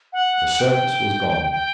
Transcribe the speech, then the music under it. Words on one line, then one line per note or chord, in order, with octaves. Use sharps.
The circus was gone.
F#5
G5
G5